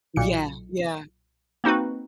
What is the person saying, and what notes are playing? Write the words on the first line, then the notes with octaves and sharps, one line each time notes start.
Yeah, yeah.
B1 A#2 C#7
A#3 C4 D#4 F#4 B4